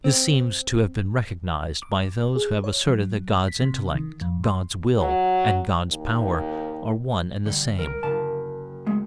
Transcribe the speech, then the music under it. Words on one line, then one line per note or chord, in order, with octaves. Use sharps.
This seems to have been recognized by those who have asserted, that God's intellect, God's will, and God's power, are one and the same.
C4
D6
G#4
C#5
F#3
B6
C3
D#3
F2
C6
F#3
D#2
D3 G3
A#4
F#1 A5
A2 G#3